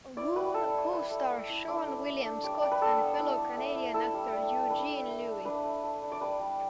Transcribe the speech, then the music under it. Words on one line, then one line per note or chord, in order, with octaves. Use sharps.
"Goon" co-stars Seann William Scott and fellow Canadian actor, Eugene Levy.
E4 D5
G3 B4
G3 A4
E4
E4 B4
A3
A3
E4
D4 D5
A3
A3
D4
G3 D5
G3 D5
B4
D4 A4
B3
E4
A3
A3
E4
E4 A4
G3
G3
E4
D4 B4
A3
A3
D4
D4 B4
A3
A3
D4
D5
G3 B4
G3